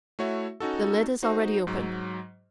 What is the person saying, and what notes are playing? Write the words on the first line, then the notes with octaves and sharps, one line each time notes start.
The lid is already open.
A3 E4 F#4 C#5 E5
C#4 D#4 F#4 A4
D#4 F#4 C5
G#2 F#3